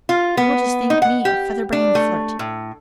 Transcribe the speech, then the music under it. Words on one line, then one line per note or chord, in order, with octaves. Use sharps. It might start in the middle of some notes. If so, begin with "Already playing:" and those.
He will just think me a feather-brained flirt.
F4
B3
D#4
F#5
G4
D4
A3
A2